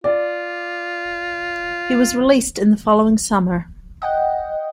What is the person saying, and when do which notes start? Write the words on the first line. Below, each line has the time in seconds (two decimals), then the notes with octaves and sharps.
He was released in the following summer.
0.04 F4 D5
4.02 D#5 F#5 G5